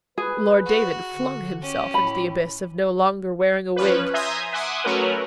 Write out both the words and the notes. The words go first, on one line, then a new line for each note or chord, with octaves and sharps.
Lord David flung himself into the abyss of no longer wearing a wig.
G#4 B4
F#4
D3
C#4 G4
A2 B5
F3 C#4 B4
E5 G#5 A#5 C6 D#6 G6
E5 F#5 G#5 C6 D6 D#6
F#3 A3 C#4 F#4 A#4 B4